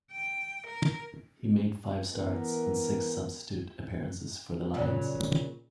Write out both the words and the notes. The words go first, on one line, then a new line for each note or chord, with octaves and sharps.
He made five starts and six substitute appearances for the Lions.
G5
A#4
E3 B3 A#4
A#2 C#3 F#3